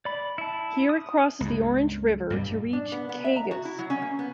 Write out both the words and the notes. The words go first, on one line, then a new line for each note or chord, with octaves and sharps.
Here it crosses the Orange River to reach Koegas.
D5 B5
E4 A5
D#6
C#2 G2
G2 A#2 G3
D4
B3
B3
E5
A#5
F#4
E4
F#3
C#4
A#3
B3